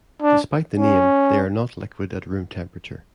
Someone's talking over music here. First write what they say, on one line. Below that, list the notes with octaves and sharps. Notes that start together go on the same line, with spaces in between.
Despite the name, they are not liquid at room temperature.
D4
C#4